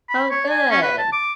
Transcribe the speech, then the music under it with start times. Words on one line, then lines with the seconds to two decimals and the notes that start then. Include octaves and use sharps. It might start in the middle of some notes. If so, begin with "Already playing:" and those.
Oh, good.
0.09 B5
0.31 C#5
0.51 G#5
0.71 C#4
0.83 B4
0.98 A5
1.12 D6